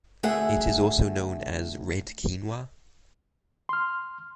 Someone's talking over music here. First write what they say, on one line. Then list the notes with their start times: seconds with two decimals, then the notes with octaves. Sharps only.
It is also known as red quinoa.
0.23 D2 A3 G#4 E5 F#5
3.69 C6 F6